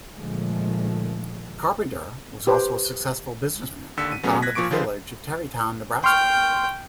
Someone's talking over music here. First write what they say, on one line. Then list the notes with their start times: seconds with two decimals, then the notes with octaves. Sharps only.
Carpenter was also a successful businessman and founded the village of Terrytown, Nebraska.
0.15 A#2 D3 D#3 F3 G#3 A3
2.47 G4 B4 C5
3.97 D#2 D3 E6 B6 C#7
4.12 D#7
4.23 C#3 F#3 A3 B3 C#4
4.42 F#6 G#6 A#6 B6
4.55 A#2 F3 C#6 D6 D7
4.71 D3 F3 F4 G#4 B4 C5
6.04 G5 C6 C#6 F6